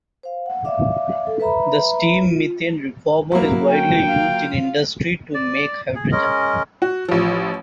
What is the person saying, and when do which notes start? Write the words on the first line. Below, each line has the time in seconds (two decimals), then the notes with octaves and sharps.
The steam methane reformer is widely used in industry to make hydrogen.
0.23 C5 F5
0.46 F#5
0.65 D5 E5 F5 D6
1.27 A4
1.40 B4 E5 A#5 B5
2.21 F4
3.32 F#3 A#3 E4
3.69 C#4 G5
4.05 F4 F5
5.34 D5
5.95 G#4
6.12 G#3 C#4 A#4 D#5
6.82 F#4
7.08 A1 F3